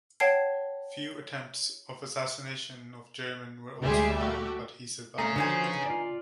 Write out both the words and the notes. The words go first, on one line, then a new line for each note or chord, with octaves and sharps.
Few attempts of assassination of Jerman were also planned but he survived.
C#5 F#5 G5 A5 G#6 C7
D2 G3 G#3 G4 G#4 E5
A3 F#4 G4
A3 C#4 G#4 A#5
D3 F3 B3 D#4 F#4 C5 G#5
F4 D5